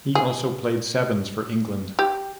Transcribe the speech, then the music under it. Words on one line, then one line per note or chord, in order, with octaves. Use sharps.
He also played Sevens for England.
G#4
G4